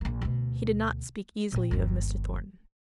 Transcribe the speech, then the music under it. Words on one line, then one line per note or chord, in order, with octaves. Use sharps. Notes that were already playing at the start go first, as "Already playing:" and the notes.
He did not speak easily of Mr. Thornton.
A#1 A#3
D2 B2
A#2 C4
G1 D#2